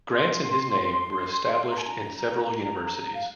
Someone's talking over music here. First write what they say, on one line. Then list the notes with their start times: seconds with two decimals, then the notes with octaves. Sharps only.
Grants in his name were established in several universities.
0.12 C6
1.70 A#5
1.78 G#5
1.86 A#5
3.14 F5